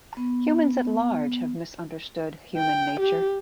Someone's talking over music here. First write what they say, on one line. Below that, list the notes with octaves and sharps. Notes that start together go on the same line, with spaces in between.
Humans at large have misunderstood human nature.
B3
G5
G4